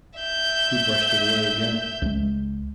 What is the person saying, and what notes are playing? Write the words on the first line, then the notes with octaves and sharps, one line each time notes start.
He brushed it away again.
E5 G6
C#2 G#3